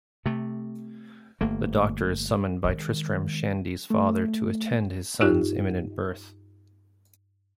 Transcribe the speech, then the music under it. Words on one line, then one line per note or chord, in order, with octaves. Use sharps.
The doctor is summoned by Tristram Shandy's father to attend his son's imminent birth.
C3 A3
G1 A3 A#3
D#3 G#3
A3
G2 D#4 F4 G4 F#6